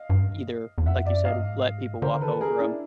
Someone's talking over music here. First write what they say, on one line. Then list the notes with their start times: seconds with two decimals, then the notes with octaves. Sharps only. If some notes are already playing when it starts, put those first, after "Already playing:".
either, like you said, let people walk over them
Already playing: D#5 F5
0.10 G2
0.78 E2
0.86 F2 E5 F#5
1.05 F#2 D5 E5
1.25 G2 D#5 F5
1.44 G#2
2.02 D3 A#4 C5
2.21 D#3 A4 B4
2.41 G#4 A#4
2.60 D4 E4